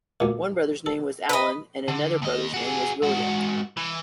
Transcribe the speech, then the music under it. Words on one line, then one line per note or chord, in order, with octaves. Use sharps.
One brother's name was Allen and another brother's name was William.
D2 A#2
A4
B4 D#5
D3
D#2 D#5
F#4 G#4
G#2 F#4
E3